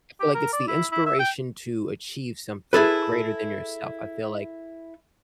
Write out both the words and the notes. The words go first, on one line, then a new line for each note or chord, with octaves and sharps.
I feel like it's the inspiration to achieve something greater than yourself, I feel like,
G4
A#4
D5
E4
E4
E5
G5
E4 G#4 A4 B4